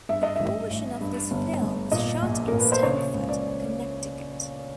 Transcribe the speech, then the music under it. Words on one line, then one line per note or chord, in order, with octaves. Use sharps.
A portion of this film was shot in Stamford, Connecticut.
G2 E5
D#5
A1 E5
A1
G2
G1
G1
A#2 D#5
A#1
A#1 A#4
B4
C5
C#3 C#5
C#2
D5